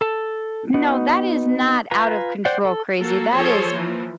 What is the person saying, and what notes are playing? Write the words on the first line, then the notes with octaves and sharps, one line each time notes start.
No, that is not out of control crazy, that is
A4 A5
B3 D#4 F#4
F4 B4 G#5 A#5
C5 D5 F#5 G5
A4
A#3 F#4 A4 A#4
F3 G#4 A4 C5 C#5
E3 F3 A#3